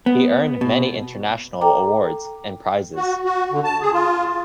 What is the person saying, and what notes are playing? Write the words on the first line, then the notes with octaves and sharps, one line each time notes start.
He earned many international awards and prizes.
B3
B2
A4 G5 A#5 D6
F#4
F#4
D3
A5
G#4
F4